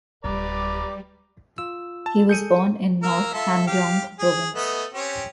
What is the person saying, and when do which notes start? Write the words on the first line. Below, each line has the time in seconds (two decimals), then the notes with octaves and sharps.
He was born in North Hamgyong Province.
0.24 D1 G3 B4 D5 A#5 D6
1.58 F4 E6
2.06 A5
2.29 G#4 A4 G6 C#7 D#7
3.03 A#3 A#4 E6
3.34 F4 A4 E5
3.67 G4 F5
4.19 G#4
4.55 A3 B3 D#5
4.94 C4 C#4 G4